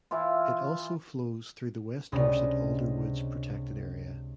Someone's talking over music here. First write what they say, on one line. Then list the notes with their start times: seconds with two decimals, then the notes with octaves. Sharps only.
It also flows through the West Dorset Alder Woods protected area.
0.11 E3 E4 F4
2.12 C#2 C3 C#4 D4 B5 D#6